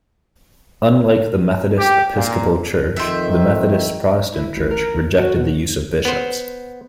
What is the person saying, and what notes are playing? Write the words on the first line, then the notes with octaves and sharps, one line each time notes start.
Unlike the Methodist Episcopal Church, the Methodist Protestant Church rejected the use of bishops.
G4
A#2
F2 D#3 C5 E5
E4
A1
A#4
D2
F#4
B2
B3 C5